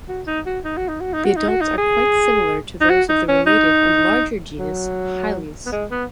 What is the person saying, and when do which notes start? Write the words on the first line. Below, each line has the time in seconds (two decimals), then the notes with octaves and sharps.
The adults are quite similar to those of the related and larger genus "Hyles".
0.09 F#4
0.27 D#4
0.46 F#4
0.64 D#4
0.77 F#4
0.89 D#4
1.01 F#4
1.13 D#4
1.25 F#4
1.37 D#4
1.49 F#4
1.61 D#4
1.78 G#4
2.81 D#4
2.90 F#4
3.09 D#4
3.28 C#4
3.47 D#4
4.59 F#3
5.66 B3
5.72 G#3
5.91 B3